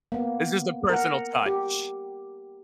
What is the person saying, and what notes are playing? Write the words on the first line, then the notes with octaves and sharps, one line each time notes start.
It's just a personal touch.
A#3 B3
A#4 F#5
G4